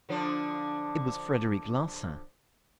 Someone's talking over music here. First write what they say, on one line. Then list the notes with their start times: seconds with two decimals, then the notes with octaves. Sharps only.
It was Frederic Larsan.
0.09 D3 F3 D4